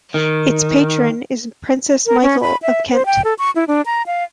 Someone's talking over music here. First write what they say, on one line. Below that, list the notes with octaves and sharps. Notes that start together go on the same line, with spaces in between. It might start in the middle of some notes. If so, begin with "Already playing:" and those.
Its patron is Princess Michael of Kent.
D#3
A#4
C#4
B5
E5
C5
G5
A4
C#6
E4
D4
A#5
F5